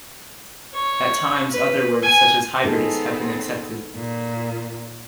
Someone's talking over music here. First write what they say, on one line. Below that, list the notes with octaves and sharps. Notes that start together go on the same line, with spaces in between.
At times other words such as "hybridous" have been accepted.
C#5
B4
G#5
B3 C4 D#4 G#4 A4
A#2